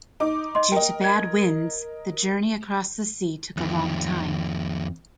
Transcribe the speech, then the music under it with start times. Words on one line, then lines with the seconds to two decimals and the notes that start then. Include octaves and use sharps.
Due to bad winds, the journey across the sea took a long time.
0.20 D#4 D6
0.55 D#5 C6
0.72 A#4 D#5 G5
1.04 G#6
3.57 F2 D#3